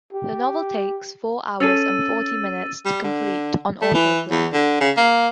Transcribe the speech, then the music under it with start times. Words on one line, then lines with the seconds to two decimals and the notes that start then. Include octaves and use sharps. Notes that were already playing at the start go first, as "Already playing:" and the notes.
The novel takes four hours and forty minutes to complete on auto play.
0.13 G4
1.60 C#4 G#4 A4 E6 A6 D#7
2.85 G3
3.03 D3
3.81 A3
3.94 E3
4.30 E2
4.53 D3
4.80 C#3
4.97 A#3